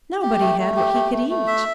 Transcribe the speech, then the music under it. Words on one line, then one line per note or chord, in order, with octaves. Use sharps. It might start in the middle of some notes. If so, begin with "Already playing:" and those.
Nobody had what he could eat.
G4
A3
A3
G4
A3
A3
A3
E5